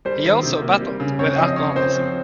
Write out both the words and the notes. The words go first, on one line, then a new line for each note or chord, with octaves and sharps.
He also battled with alcoholism.
G3 C5
D#3
C3
A#3
G3
C#3
C4 C#5
F3 D#5
C#3 C#5
C4 C5
F3